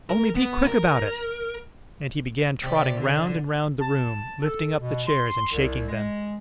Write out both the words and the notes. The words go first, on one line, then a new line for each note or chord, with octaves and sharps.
"Only be quick about it!" And he began trotting round and round the room, lifting up the chairs, and shaking them.
A#4
B3
A#4
C3 G4 D5
D3
A5
A4
B2
C6
C2
G#3